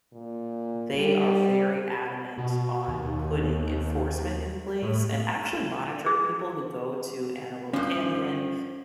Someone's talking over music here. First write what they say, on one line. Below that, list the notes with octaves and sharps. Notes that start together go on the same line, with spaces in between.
They are very adamant on putting enforcement in place and actually monitoring people who go to Antelope Canyon,
A#2
G3
B2
D#2
A2
G#4
G2 F3 C#4 C5